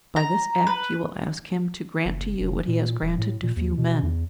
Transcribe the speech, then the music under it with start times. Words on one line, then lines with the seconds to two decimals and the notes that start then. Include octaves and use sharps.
By this act, you will ask him to grant to you what he has granted to few men.
0.16 A#5
0.67 B4
2.05 F#1
2.40 F1
2.68 A#2
3.01 D#1
3.18 A2
3.43 A#2
3.56 D#2
3.77 B2
4.02 E2